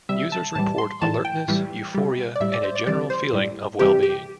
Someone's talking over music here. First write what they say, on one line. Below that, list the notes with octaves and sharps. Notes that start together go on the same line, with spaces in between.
Users report alertness, euphoria and a general feeling of well being.
C3 G3 E5
A5
A2 E3 G3 A5
C6
A2 E3 G3 A5
G5
A2 E3 G3
C3 G3
D5
A2 G3 E5
D5
C5
D5
C3 E3 G3 D5
C5
A2 G3
C3 E3 G3 G4
G4